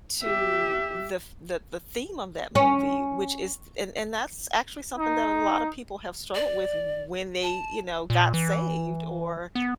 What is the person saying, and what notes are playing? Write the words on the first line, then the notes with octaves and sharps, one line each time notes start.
to the f the the theme of that movie, which is th and and that's actually something that a lot of people have struggled with when they, you know, got saved or
G4 E5
C#4
D#4
D5
A5
A#2
E3
B3